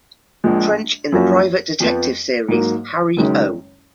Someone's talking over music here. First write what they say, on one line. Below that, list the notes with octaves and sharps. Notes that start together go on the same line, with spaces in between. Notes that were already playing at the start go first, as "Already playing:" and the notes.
Trench in the private detective series "Harry O".
A#1 A#2 F3 G#3
F#2 F3 A#3 C#4 F#4
F2 F3 B3
G#2 F#3 A#3
F#1 F#2 D#3 G#3 C#4